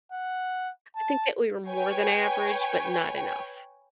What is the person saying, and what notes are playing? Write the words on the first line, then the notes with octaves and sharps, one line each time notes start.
I think that we were more than average, but not enough.
F#5
A5
B4 C#5 G5 G#5